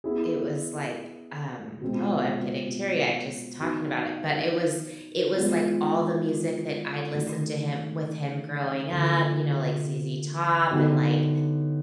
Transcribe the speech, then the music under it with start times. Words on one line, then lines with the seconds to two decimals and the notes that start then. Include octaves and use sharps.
it was like, um oh, I'm getting teary-eyed just talking about it, but it was it was like all the music that I'd listened to him with him growing up, you know, like ZZ Top and, like,
0.04 B3 E4 G#4
1.81 B2 G#3 C4 F4
3.59 F#3 B3 D#4 F#4
5.37 F3 G#3 B3
7.14 D#3 F#3 A3
8.93 D3 F3 A#3
10.71 D3 F#3 B3 D#4 G4